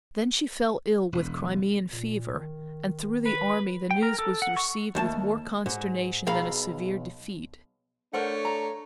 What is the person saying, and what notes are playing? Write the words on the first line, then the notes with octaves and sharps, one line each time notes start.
Then she fell ill with Crimean fever, and through the army the news was received with more consternation than a severe defeat.
E1
A#2
D#3
B4
G5
A#4
A4
F#5
C#6
D#2 A3 A5
G#2
B1 G#4 F5 A#5 B5
A3 D4 A#4 C5 C#5 F#5
A#5